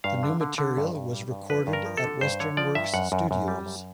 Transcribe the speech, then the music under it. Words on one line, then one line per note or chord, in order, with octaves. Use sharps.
The new material was recorded at Western Works studios.
G2 F5
D3
D3
D3
G2
G2
G3
G2
F3 B4
G2
A#4
F3
A4
D3
G2 C5
D3 C#5
F3 D5
G2 E5
F#2 F#5
F#2
F#2
G3
F#2